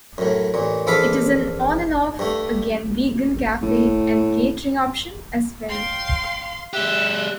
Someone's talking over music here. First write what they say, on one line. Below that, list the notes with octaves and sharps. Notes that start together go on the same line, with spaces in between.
It is an on-and-off again vegan cafe and catering operation as well.
F#2 A2
A1 A#2
A#1 E3 A4 F5 B5 D6
G2 A3
A2
F5 G5 C6
G#3 G4 E5 F#6